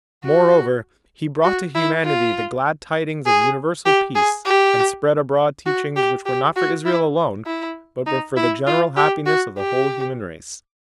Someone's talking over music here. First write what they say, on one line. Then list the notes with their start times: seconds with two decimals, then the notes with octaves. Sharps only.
Moreover, He brought to humanity the glad tidings of universal peace, and spread abroad teachings which were not for Israel alone but were for the general happiness of the whole human race.
0.24 F#4
1.44 F#4
1.75 E4
2.04 F4
3.26 G#4
3.85 G4
4.15 G#4
4.46 G4
5.66 F#4
5.96 G4
6.26 G4
6.56 F#4
6.85 E4
7.46 E4
8.06 D#4
8.37 E4
8.67 F4
8.97 G4
9.26 F#4
9.57 G4